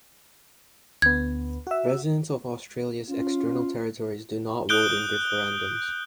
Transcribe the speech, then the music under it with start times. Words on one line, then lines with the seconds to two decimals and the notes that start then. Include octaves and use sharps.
Residents of Australia's external territories do not vote in referendums.
1.02 D2 B3 G#6
1.67 F#4 E5
3.09 C#4 F4
4.69 D#6 F#6 G6 D7 G7